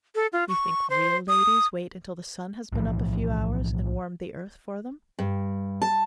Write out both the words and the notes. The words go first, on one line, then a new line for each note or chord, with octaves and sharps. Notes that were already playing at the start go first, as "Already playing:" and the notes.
"You think 'real ladies' wait until the sun has been up a few hours and warmed the earth for them?"
A4
F4
C#6
C5
D#6
B1 A2 E3 F3
G2
A5